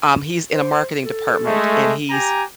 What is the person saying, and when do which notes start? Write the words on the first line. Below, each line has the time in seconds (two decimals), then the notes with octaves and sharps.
um, he's in a marketing department, and he's
0.53 C5
1.05 A4
1.45 G#3 A3
2.10 G4 G#5 A#5